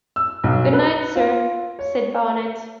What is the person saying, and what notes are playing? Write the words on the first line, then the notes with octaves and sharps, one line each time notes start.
"Good night, sir," said Barnett.
E6
B1
B4
F4
C#5